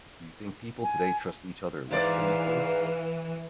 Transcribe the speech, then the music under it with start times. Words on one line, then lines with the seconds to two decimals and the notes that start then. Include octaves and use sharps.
Do you think people today trust each other less than before?
0.83 G#5
1.91 G#2 E3 D5 F5